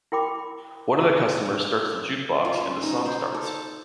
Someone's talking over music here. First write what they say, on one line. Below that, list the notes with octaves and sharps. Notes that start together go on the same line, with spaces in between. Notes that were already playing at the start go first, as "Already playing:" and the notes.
One of the customers starts the Jukebox and the song starts.
E4 A#4 G5 B5 D6
F4
C#4
D#4
C5
A4